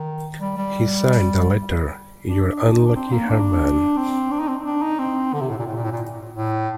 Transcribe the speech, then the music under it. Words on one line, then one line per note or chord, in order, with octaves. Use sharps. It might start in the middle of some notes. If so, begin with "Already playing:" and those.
He signed the letter 'your unlucky Hermann'.
Already playing: D#3
G3
G3
D4
D#4
D4
D#4
D4
C4
A#3
D4
C4
D4
D#4
C4
D4
D#4
C4
D3
C3
A2
A#2
A2
A#2
A2
A#2
A2